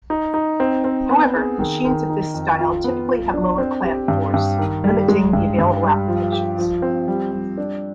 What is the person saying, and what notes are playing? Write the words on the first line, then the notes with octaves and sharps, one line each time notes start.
However, machines of this style typically have lower clamp force, limiting the available applications.
D#4
D#4
C4
C4
B3
G#4
D#3
D#3
D#4
F2
F4
B3
F4
D4
C4
G4
G2
G2
D#3
G3
G#3
G2
G2
G3
F3
G4
F3
C4
G3
G3
D4